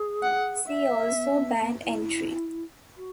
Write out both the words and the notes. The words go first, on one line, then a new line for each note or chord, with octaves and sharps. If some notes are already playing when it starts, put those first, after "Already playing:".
See also Band entry.
Already playing: G#4
F#5
E5
C#4
B3
C#4
B3
B3
E4
F#4